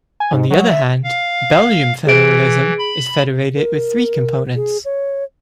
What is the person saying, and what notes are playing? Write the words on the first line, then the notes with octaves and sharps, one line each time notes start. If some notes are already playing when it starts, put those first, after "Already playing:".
On the other hand, Belgian federalism is federated with three components.
G#5
G#2
F#3
E5
F5
E3 G#4 D7
B5
A#4
G#4
C#5